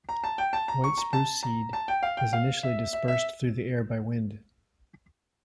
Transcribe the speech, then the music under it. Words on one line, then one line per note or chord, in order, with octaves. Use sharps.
White spruce seed is initially dispersed through the air by wind.
A#5
A5
G5
A5
A#5
C#6
A#5
A5
A#5
A5
G5
F5
G5
F5
E5
E5
E5